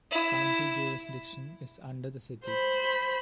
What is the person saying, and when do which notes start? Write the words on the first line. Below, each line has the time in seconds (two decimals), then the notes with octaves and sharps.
County jurisdiction is under the city.
0.11 E4 E6
2.45 C5 B5